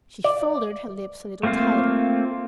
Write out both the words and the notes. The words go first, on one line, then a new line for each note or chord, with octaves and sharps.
She folded her lips a little tighter.
D5
A3 A#3 C4 F4 F5